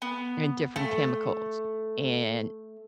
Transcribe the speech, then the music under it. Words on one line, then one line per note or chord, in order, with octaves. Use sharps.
and different chemicals, and,
B3
A3